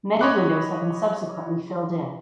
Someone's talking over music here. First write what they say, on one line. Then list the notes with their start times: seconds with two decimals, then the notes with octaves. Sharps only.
Many windows have been subsequently filled in.
0.21 C#5 D#5 B5 C#6 D6 F#6